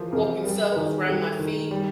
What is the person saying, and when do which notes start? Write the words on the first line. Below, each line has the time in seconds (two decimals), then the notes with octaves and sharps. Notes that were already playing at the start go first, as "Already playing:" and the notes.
walking circles 'round my feet.
Already playing: E3 F3 G#4 A#4 C5
0.12 C3 G#4 A#4
0.44 G3 G#4 A#4
0.71 B4
0.75 D#3 G#4 A#4
1.07 G3 G4 A4
1.39 D#3
1.71 G3